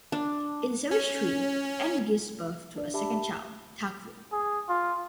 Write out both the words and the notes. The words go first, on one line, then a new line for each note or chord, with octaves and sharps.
In series three, Ann gives birth to a second child; Tarquin.
D4
C#4
D4 D5
G4 E5 A5 B5
G#4
F4